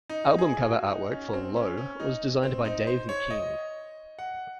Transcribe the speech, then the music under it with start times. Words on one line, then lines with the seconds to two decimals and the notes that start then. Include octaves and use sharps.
Album cover artwork for "Low" was designed by Dave McKean.
0.09 D#4
0.39 G#4
0.68 F#4
0.90 D#4
1.11 C#4
1.34 C4
1.56 C#4
1.77 C#4
2.00 D#4
2.43 C4
2.65 D#4
2.87 C5
3.09 C#5
3.30 D#5
4.19 F#5